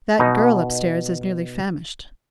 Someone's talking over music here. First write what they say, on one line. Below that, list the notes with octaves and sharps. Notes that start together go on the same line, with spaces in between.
"That girl up-stairs is nearly famished."
B2 D#4